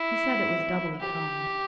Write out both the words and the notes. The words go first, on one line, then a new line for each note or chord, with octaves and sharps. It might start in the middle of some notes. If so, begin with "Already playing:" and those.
He said it was doubly kind.
Already playing: E4
G4